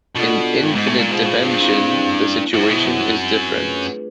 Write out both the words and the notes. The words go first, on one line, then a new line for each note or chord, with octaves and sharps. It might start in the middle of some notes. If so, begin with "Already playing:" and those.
In infinite dimension the situation is different.
B2 D4 F4 A4 D5 F#5
G2 G#3 B3 D#4
G#2
A2
A#2
B2 F4 G#4 C5 F5
A2
G2
C4 E4 G#4 C5 F5
A#3 C#4 E4
F#2 E4 G#4 C5 E5
B2
F#2
G3 C4 D#4
A3 D4 F4 G#4 B4